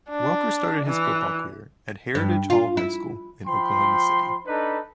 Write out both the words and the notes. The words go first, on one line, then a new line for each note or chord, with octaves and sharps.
Welker started his football career at Heritage Hall High School in Oklahoma City.
D4
E3
G2
F4
E4
F3 G5 B5 C6
D4 D#4 A4 B4